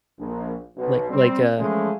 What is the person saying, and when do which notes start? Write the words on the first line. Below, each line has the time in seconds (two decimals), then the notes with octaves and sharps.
Like, like, uh
0.17 A#1
0.77 B1 B2
1.09 G3 C4
1.58 E3 F3 G#3 A3 C#4